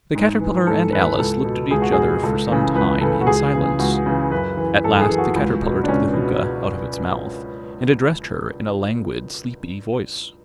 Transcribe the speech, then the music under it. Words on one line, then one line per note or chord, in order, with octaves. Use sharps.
The Caterpillar and Alice looked at each other for some time in silence: at last the Caterpillar took the hookah out of its mouth, and addressed her in a languid, sleepy voice.
G#2
E3
G#2 A4
E3 B4
C#2 A4
B2
C#2 G#4
F#4
B2 G#4
C#2 A4
C#3 E3
C#2 B4
C#3 E3 A4
F#4
C#2 G#4
C#3 E3
C#2 F#4
C#3 E3
F#2 B4
E3
F#2 A4
G#4
E3
F#4
C#2
B2
D4
C#2 C#4
B2